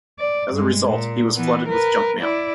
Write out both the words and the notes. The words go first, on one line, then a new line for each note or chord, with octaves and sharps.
As a result, he was flooded with junk mail.
D5
G2 G#3
A#2
E3 B3
A#4 B4
E4 D5